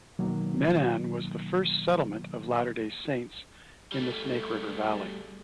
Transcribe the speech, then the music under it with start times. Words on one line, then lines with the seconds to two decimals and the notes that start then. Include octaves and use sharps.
Menan was the first settlement of Latter-day Saints in the Snake River Valley.
0.19 B2 D#3 F#3 A#3
3.92 G3 A3